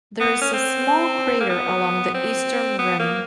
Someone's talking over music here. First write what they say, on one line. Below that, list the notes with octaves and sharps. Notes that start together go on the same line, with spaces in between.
There is a small crater along the eastern rim.
B3
C#4
C4
A#3
B3
C4
B3
A#3